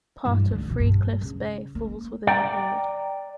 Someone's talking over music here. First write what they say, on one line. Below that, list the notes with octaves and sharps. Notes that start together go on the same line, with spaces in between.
Part of Three Cliffs Bay falls within the ward.
G2 E3
D2 D3
B2 E3
G2
C#3
A#3
D5 G5 A#5